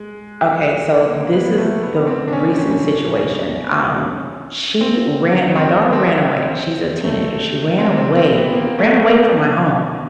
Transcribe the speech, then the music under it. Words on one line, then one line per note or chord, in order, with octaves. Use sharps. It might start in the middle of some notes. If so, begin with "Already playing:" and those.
Okay, so, this is the recent situation. Um, she ra my daughter ran away, she's a teenager, she ran away ran away from my home
Already playing: G#3
A#3
B3
A3
B3
C4
D4
C#4
C#4
C4
C4
C4
A3
C4
C4
C4
B3
A#3
A3
B3
C#4